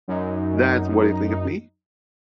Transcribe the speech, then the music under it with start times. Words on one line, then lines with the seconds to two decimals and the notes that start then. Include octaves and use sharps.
That's what you think of me?
0.08 F#2 D#4